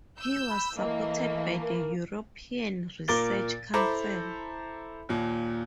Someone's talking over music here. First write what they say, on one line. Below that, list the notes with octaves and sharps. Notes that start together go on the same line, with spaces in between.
He was supported by the European Research Council.
E6 G6
B5
E3 A3 A#3 D#5
A#4
A#2 A#3 A#4 D6 A6 G7
E4 A4 C5 A#5 B5 D6
D#2 A#2